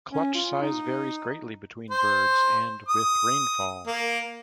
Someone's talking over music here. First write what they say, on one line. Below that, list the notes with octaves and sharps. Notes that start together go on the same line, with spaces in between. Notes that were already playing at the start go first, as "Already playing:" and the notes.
Clutch size varies greatly between birds and with rainfall.
C#4
F4
D#4
C5
D#6
A#3